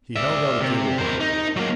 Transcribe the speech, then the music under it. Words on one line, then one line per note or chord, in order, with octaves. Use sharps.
He held out a cablegram.
D5 E5
C3
A#4 C5
D#4
F#3 A#3